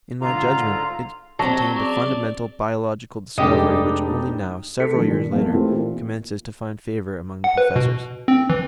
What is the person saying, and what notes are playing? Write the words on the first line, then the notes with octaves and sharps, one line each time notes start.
In my judgment, it contained a fundamental biological discovery which only now, several years later, commences to find favor among the professors.
G#2 D3 F4 F5 A#5
F#3 C4 F#4 G4 D5 D#5 A5
C4 C#4 G#4 D5
F1 G#3 D4 D#4 G4 A4
A4 B6 C#7
D#3 F3 F#3 D4
A#2 D#3
E1 A#1 F5
E3 A3 C4 D#4 F4 G4
A#2
F#5
B4
B2
C4
E3